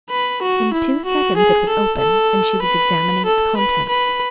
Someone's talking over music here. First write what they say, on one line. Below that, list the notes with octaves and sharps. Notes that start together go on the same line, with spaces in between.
In two seconds it was open and she was examining its contents.
B4
F#4
E4
F#4
G#4
A4
A4
B4
A4
B4
B4